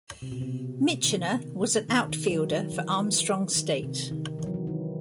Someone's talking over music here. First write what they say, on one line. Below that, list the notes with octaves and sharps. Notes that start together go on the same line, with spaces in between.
Michener was an outfielder for Armstrong State.
C3
B2
C3
D#3
D#3
D#3
F#3
D#3
E3
D#3
C3
D#3
E3
F#3
E3
D#3